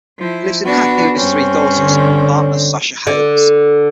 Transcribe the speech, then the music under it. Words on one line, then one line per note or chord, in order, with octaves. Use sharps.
He lives in Hackney with his three daughters and partner Sasha Hails.
F3 E4
B3 D4 F#4
G2 C4 C#4
D3
D3